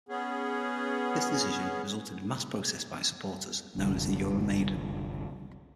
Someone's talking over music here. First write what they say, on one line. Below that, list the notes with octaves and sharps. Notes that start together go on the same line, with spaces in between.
This decision resulted in mass protests by its supporters, known as the "Euromaidan".
B3 C#4 G#4
F#1 C2 D3 F3